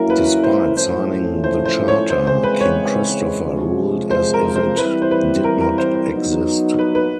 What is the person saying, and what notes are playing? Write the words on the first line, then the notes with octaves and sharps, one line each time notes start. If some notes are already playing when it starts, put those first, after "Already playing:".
Despite signing the charter, King Christopher ruled as if it did not exist.
Already playing: F#3 A#3 C#4 E4 A#4
B4
C5
A2 F3 A3 C#4 E4 C5
C5
C5
C#5
C#3 E3 G#3 C4 C5
C5
B4
C#5
C3 F3 G#3
C5
A#4
C5
E3 G3 C4 E4 B4
C5
B4
A#4
A#4
C5
C5
F#3 B3 D#4
B4
B4